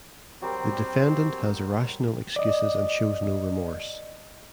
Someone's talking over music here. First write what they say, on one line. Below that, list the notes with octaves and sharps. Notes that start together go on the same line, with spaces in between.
The defendant has irrational excuses and shows no remorse.
F#3 G3 C4 A#4
D5 D#5